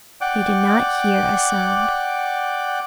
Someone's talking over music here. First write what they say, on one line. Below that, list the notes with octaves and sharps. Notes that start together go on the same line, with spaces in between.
They did not hear a sound.
D5 F#5 G5 D6